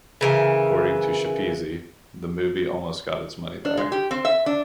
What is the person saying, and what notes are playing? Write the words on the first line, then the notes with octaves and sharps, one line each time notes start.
According to Schepisi, the movie almost got its money back.
C#3 E3 A#4
D4
G#3
G4
C4
E5
D4